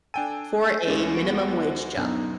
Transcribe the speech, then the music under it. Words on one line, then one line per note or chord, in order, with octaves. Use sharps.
For a minimum wage job.
D4 A4 G5 G#5 D#7
D2 G#3 C#4
B3 F#4 D7
C5
F#2 B2 D3 D#4